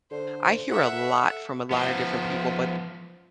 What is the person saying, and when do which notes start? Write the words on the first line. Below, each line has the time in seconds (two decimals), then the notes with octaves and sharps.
I hear a lot from a lotta different people, but
0.11 D3 C5
0.70 A4 E5 F#5
1.71 F3 B3